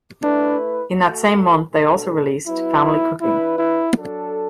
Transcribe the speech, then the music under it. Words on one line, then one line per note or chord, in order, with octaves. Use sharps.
In that same month they also released "Family Cooking".
A3 D4 E4 B4
A3 F#4 A4
B2 A3 D4 A4
F#3 B3 E4 F#4 B4
E3 D4 E4 B4
E4
F#3 D4 A4